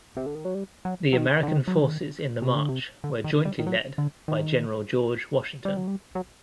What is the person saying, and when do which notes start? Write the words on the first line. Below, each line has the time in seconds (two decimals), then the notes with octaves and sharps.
The American forces in the march were jointly led by General George Washington.
0.17 C3
0.26 D3
0.35 D#3
0.45 F#3
0.54 G3
0.85 F#3
1.13 F#3
1.17 D#3
1.43 D3
1.48 D#3
1.68 F#3
1.79 D#3
2.42 C3
2.55 D3
2.69 C3
3.04 D3
3.24 D#3
3.45 G3
3.59 D#3
3.67 F#3
3.98 D3
4.28 D#3
5.65 G3
5.77 F#3
5.88 G3
6.15 F#3